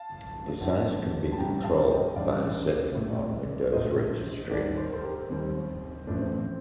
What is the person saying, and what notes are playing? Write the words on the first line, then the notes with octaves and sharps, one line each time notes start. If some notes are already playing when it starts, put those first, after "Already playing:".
The size can be controlled by a setting on Windows Registry.
Already playing: F5 A5
G1 F2 D3 F3
A5
A1 G2 D3 G3 G5 A#5
F5 A5
D#5 G5
A1 G2 D3 G3 D5 F5
A#1 A2 F3 A3
A#1 A2 F3 A3 C5 D#5
D#2 D#3 G3 A#4 D5
C5
A#4
A4 C5
G4 A#4
D#2 D#3 G3 C4
A1 A2 F3 A3 D4
C4
C4